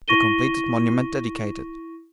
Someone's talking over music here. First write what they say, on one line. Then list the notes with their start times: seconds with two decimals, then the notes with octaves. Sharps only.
The completed monument dedicated.
0.08 E4 C#6 A#6 D#7 G7